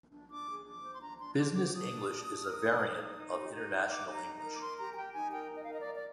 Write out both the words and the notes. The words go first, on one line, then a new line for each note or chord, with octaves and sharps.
Business English is a variant of international English.
D4
D4 D6
G#4
D4 D6
C5
C6
D4 A#5
D4 C6
D4 D6
C5 D6
D6
D4 D#6
D4
D4
D4
A#4
D#4
D#4
D#4
D#4
G4
D#4
G4
D#4 D6
D#4
A#5
D#4
A#5
A#4
D6
A#4 C6
G4 A#5
G#5
G4 G5
D#4 G#5
A#4 G5
D#4
D#5
F5
A#4 D#5
D5
A#4
D5